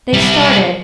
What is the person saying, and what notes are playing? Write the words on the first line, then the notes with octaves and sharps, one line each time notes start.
They started.
G3 E4